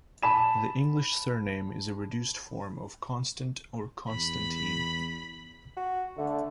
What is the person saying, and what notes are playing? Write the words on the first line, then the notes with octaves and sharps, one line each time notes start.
The English surname is a reduced form of "Constant" or "Constantine".
A5 B5 E7
E2 B5
F#4
D3 A3